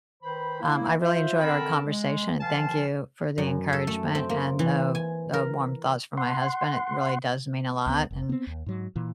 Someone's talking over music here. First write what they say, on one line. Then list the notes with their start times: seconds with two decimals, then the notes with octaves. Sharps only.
um, I really enjoyed our conversation, and thank you for the encouragement and the the warm thoughts for my husband it really does mean a lot and
0.23 D#3 B4 C5 B5
0.61 A#3 E4
1.01 F4 C5 E5
1.41 D3 C4 A4 A#4 A5 B5
1.86 G#3
2.40 D#3 F3 F5 G#5 A5
3.38 F#2
3.73 A4
3.87 A3
4.15 C4
4.29 A#3
4.59 E3
4.95 G#5
5.33 A#4
6.17 F#5 C6
7.87 C#2 F#3 B3
8.11 F1
8.29 B3 C4
8.47 D#2
8.66 G#2 F#3
8.96 A#2 E3